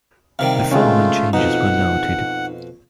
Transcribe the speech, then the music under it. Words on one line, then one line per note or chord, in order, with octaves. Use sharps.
The following changes were noted.
C3 D#3 G3 F5
G#3 A3 C#4 F4
F2 B2 D#4 F#5